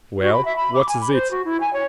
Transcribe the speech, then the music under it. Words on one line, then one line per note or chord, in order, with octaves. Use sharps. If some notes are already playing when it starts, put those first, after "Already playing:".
"Well, what is it?"
F#4
B5
E5
B5
D6
G#5
B5
C5
F#4
E4
G#5
C#5